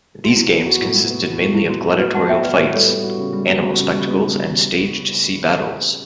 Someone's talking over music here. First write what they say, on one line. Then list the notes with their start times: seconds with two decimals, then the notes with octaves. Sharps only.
These games consisted mainly of gladiatorial fights, animal spectacles and staged sea battles.
0.25 F#4
0.36 F#3 E4
0.51 B3
0.66 F#4
0.81 A2
0.95 F#3
1.11 B3
1.26 F#4
1.40 A2
1.55 F#3 E4
1.69 B3 F#4
1.85 F#4
1.99 A2 B4
2.14 F#3 F#5 A5
2.29 B3 E5 G5
2.43 F#4 B4 D5
2.58 A2 B4 D5
2.73 G3 A4 C#5
2.88 B3
3.03 F#4
3.18 C#3
3.33 G3
3.48 B3
3.62 F#4
3.78 C#3
3.92 G3
4.07 B3